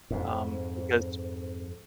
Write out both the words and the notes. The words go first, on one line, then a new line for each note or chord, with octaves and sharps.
um, because
F2 G#2